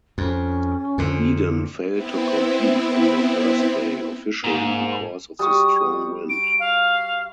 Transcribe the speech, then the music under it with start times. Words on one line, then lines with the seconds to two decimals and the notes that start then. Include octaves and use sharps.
Eden failed to compete on the first day, officially because of the strong wind.
0.18 F2 C#4
0.98 F2 D3
1.91 B3 C4 E4
4.44 G#2 A#3
5.39 G3 F#4 C#6 D#6
6.29 D7
6.60 F5